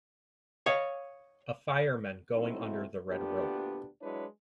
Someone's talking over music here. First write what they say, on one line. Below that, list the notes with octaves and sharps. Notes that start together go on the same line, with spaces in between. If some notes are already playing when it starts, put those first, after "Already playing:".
A fireman going under the red rope.
C#5 D#5 F5
F#3 A3 C4 D#4 E4
D2 A#2 B3 D4 G4
F#3 G#3 D4 E4 B4 C#5